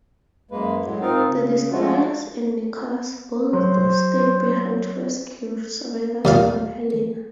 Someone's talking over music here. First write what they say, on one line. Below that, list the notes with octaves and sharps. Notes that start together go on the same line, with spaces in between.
The destroyers and "Nicholas" both stayed behind to rescue survivors from "Helena".
F#2 G#3 A#3 B4
A2 F#3 G#3
G#2 C4 D#4 F4 A#4 F5
C#3
F3 G#3 A3 F4 F#4
F#3 C5
D#2 A#2 F5